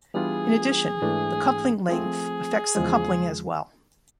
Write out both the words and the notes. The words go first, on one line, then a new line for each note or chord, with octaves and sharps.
In addition, the coupling length affects the coupling as well.
E3 G3 B3 D4 F4 G#4
G#2 E3 A3 D4
F3 A3 C4 G#4
E2 C#3 F3 G#3